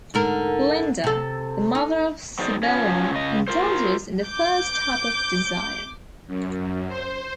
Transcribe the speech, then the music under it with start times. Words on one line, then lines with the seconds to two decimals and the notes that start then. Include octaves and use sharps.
Linda, the mother of Sibylla, indulges in the first type of desire.
0.14 G#2 D3 A#4
1.04 C3 A4
1.75 D#4
2.39 B2 F#3 D#4 G#4 C5 D5
2.63 F3 C#4
3.11 C#3 D#5
3.48 F4 A#4 C5
4.25 D6 G6
6.27 F#2
6.88 C5